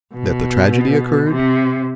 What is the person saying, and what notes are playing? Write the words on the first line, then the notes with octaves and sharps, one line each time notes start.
"That the tragedy occurred?"
B2
C3